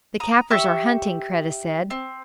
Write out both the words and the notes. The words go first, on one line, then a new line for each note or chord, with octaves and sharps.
"The Kaffirs are hunting," Kreta said.
A#5 D#6
G4 E5 C#6
C4